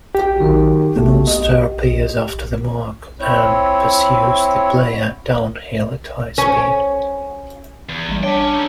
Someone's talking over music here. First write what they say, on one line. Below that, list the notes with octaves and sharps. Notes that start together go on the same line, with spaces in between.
The monster appears after the mark and pursues the player downhill at high speed.
G4
D#3 F#3
B2 A3
D#5
C4 E4 C#5
C#4
E2
A1 G3
D4 C#5 E5 G5
C#4
D#4 A4